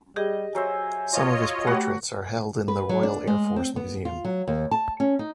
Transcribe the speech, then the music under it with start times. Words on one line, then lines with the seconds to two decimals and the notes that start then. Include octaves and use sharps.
Some of his portraits are held in the Royal Air Force Museum.
0.16 G3 G4 G#4 D#5
0.55 F#3 C5 E5 G#5
1.13 F4 C#5 D#5
1.67 A3 F#4 G4 F#5 B5
2.68 B4
2.89 F#3
3.03 D4
3.27 G#3
3.56 C4
3.76 B3
4.05 F4
4.25 F#3
4.47 D#2
4.71 A5
5.00 C#4
5.19 D#4